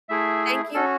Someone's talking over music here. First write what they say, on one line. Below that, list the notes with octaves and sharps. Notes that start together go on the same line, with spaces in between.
thank you
A3 E4 G#4 E5
C#4 F#4 A4